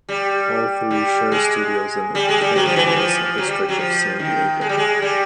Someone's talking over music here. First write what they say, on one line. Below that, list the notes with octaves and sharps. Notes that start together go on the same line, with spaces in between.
All three share studios in the Kearny Mesa district of San Diego.
G3
G3
G#3
G3
G#3
G3
F#3
F3
E3
E3
F3
F#3
G3
F#3
F3
D#3
G#3
G3
G#3
G3